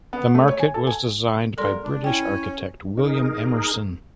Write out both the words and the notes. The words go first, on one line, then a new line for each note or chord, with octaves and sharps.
The market was designed by British architect William Emerson.
B3
A3
C#5
G#5
A4
G#5
E2 A#2 G3 A4 A#4 D5 C6
G#3 D4
C#4 E4 G5
D#4 G#4 A#4